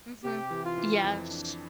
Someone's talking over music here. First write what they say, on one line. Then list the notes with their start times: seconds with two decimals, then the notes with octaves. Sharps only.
Mhm. Yes.
0.24 C3 G4
0.51 E3
0.64 F4
0.78 E3
1.04 F2
1.31 D4